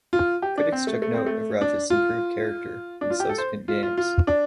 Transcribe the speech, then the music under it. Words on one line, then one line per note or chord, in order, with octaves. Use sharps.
Critics took note of Ratchet's improved character in subsequent games.
F4
G4
D4
C4
A3
A3
C4
A3
D4
F4
D4
F4
G4
A4
C5
F4
F4
F4
D4